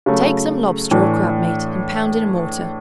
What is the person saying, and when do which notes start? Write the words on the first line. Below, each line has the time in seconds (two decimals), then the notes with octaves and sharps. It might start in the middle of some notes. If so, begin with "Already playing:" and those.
Take some lobster or crab-meat and pound in a mortar.
0.06 C#3 F#3 A3
0.91 A2 E3 A3 D4